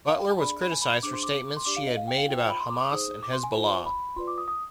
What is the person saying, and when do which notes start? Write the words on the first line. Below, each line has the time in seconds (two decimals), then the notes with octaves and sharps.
Butler was criticized for statements she had made about Hamas and Hezbollah.
0.09 F5
0.19 G5
0.30 G#5
0.40 D4 G#4 D5 B5
0.62 B5
0.71 G#5
0.82 B5
1.03 D4 G#4 C5 D6
1.13 C6
1.23 D6
1.57 C6
1.65 D4 G4 D5 D6
1.76 F5
1.87 D#5
1.97 F5
2.07 G5
2.18 F5
2.28 F4 G5
2.32 C5
2.38 G5
2.49 B5
2.60 C6
2.70 D6
2.80 D6
2.91 D#4 G#4 C5 D#6
3.23 D6
3.33 C6
3.43 G#5
3.55 F4 C5 G#5
3.86 B5
4.16 F4 B4 D5 C6
4.27 D6
4.38 D#6
4.48 D#6